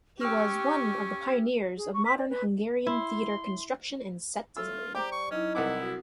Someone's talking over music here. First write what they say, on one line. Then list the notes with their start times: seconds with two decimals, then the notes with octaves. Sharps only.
He was one of the pioneers of modern Hungarian theater construction and set design.
0.21 C#4 G4 G5 C#6 E6 F6
1.77 G#4
1.94 C#6
2.05 B6
2.18 D5
2.30 B4
2.87 E4 C6
4.57 A3 F4 E6
4.95 G3 G4 C5 D5 G5 A#5 D6
5.12 C#6
5.31 F#3 C#4 D#4 E4
5.55 C2 C4 E4 B4 F#5 D6
5.82 F#4 D#6